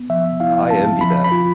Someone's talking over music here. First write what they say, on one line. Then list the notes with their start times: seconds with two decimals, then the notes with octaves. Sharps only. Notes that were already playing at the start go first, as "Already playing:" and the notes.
I envy that.
Already playing: B3
0.10 F3 E5
0.40 E4 F5
0.71 C4 A5
1.01 F3 B5
1.24 B5
1.32 F4